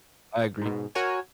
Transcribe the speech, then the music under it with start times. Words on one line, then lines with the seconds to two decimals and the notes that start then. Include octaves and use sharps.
I agree.
0.61 G#2 B2
0.95 F#4 A#4 C#5 G#5